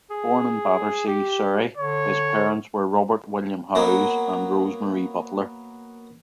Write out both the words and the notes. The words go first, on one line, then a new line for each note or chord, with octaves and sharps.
Born in Battersea, Surrey, his parents were Robert William Howes and Rose Marie Butler.
G#4
G4
D3 C#5
F#3 A#3 B3